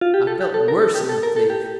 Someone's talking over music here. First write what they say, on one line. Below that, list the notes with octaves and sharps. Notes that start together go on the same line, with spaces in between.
I felt worse than a thief.
F4
G4
A4
G4
A4
A#4
A4
G4
A4
A#4
A4
G4